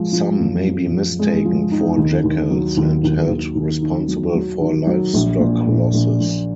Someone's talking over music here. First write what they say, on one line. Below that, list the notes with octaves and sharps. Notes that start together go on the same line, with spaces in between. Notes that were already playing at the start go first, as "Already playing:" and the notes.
Some may be mistaken for jackals and held responsible for livestock losses.
Already playing: F3 G#3
F3
F#2
F3
F3
G#3
F3
D#4
D#2
D#2
F#3
D#2
D#2
D#2
D#2
D#3
F#3
F#3
D#3
F#3
A#1
A#2
A#1
A#1
A#1